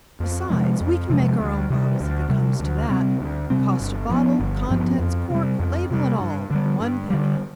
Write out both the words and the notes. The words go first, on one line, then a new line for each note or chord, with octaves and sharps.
Besides, we can make our own bottles if it comes to that. Cost of bottle, contents, cork, label, and all, one penny.
F2
C3 F3 G#3
F2
C3 F3 G#3
D2
C3 G3
D2
C3 G3
D2
C3 G3 C4
D2
C3 G3 C4
G1
G2 F3 B3
G1
G2 F3 B3
F2
C3 G3
F2
C3 G3
G2
D3 G3
G2
D3 G3